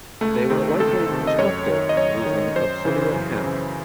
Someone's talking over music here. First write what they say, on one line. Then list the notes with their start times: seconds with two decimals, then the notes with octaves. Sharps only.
They were likely constructed using obsidian hammers.
0.21 C#2 A3
0.50 C3 D#3 C4
0.80 C#2 A4
1.09 C3 D#3
1.27 D#5
1.39 F#2 C#5
1.68 D#3
1.89 D#5
1.97 F#2 C#5
2.26 D#3
2.56 F#2 C5
2.85 C#3 E3
3.14 F#2
3.44 C#3 E3